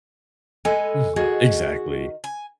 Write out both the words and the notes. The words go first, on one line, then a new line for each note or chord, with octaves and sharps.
Mhm. Exactly.
G#3 B3 A4 G#5
D#3 F#4 G#4
G#5